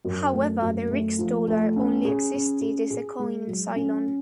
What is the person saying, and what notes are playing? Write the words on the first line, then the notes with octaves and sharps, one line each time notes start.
However, the Rixdollar only existed as a coin in Ceylon.
F#2
A3
F#2
A3
F3
A3
C#4
G#4
C#4
G#4
G#4
G#3
F#3
C#4